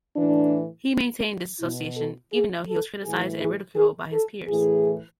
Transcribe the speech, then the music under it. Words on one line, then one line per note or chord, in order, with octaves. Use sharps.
He maintained this association even though he was criticized and ridiculed by his peers.
A2 E3 D4
B2 E4
A4
G#4
A4
A2 E3 G#4
G#4
G#4
A4
A2 E3 G#4